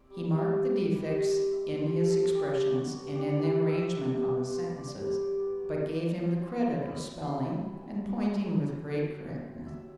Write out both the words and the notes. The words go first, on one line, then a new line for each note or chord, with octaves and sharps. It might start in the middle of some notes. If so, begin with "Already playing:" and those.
He marked the defects in his expressions, and in the arrangement of his sentences, but gave him the credit of spelling and pointing with great correctness.
Already playing: C4 E4 D5
G3
E4
C4
G3
G3
E4
C4
G3 E5
G3
C5
E4
A4
C4
G3 G4
G3
E4 F#4
B3
G3 G4
G3
B4
E4
E5
B3
G3
G3
E4
C5
B3
G3 D5
G3
E4
B3
F#3
F#3
E4
C4
F#3 C6
F#3
E4 B5
C4
F#3 C6
F#3
B5
E4
A5
C4
F#3
F#3
E4
C4
F#3
F#3
E4
C4
F#3 E5